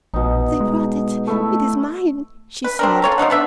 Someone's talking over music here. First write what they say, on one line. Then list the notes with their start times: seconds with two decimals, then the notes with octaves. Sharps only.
"They brought it; it is mine," she sobbed.
0.14 A#1 B2 D#4
0.60 G#3
1.27 A3 E4
2.64 B4
2.79 C4 D4 A#4
3.02 F4 A4 C#5 A#5
3.18 F3 A3 D#4 F#4
3.30 B3 D4 E5